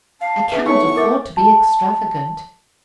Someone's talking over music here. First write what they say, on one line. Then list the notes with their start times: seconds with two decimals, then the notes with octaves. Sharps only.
I cannot afford to be extravagant.
0.21 F5 A5
0.52 B3 G#4 B4 E5
0.66 A3 D#4 C#5 C#6
0.82 B3 E4
0.96 A#4 D#5 E5 F#5 G5 D6 A6
1.37 A5